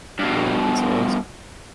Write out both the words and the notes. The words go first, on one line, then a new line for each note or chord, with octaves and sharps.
Yeah, that's awesome.
G2 B2